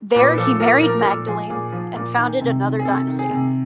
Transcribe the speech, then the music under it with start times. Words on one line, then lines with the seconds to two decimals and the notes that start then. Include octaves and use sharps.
There he married Magdalene, and founded another dynasty.
0.14 A#2 B4
0.38 F3 A4
0.55 A4
0.60 A#2 A#4
0.82 F3 A#4
0.99 A#4
1.05 A#2 A4
1.27 F3 G#4
1.50 A#2 G#4
1.72 F3
1.96 A#2
2.18 D#3
2.41 C3
2.64 D#3
2.79 G#4
2.85 C3 A4
3.08 D#3
3.19 G#4
3.31 C3